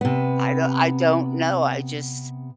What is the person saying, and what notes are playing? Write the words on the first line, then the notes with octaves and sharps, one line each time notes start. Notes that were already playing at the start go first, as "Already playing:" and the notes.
I do I don't know, I just
C3 B3